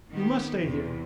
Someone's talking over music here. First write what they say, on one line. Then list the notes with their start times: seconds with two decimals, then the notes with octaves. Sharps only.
You must stay here.
0.11 D#3 B3 G4
0.63 E2 C3